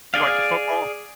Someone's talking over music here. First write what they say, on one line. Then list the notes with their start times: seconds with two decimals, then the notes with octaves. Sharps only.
You like the football?
0.14 G#4 D5 F5